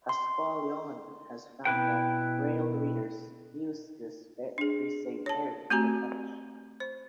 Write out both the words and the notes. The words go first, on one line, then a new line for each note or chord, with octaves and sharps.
Pascual-Leone has found that Braille readers use this very same area for touch.
C6
B2 E4 B4 G5
D4 G#4
C#5 A5
A3 C4 F#4 G4 G#5 A#5
C5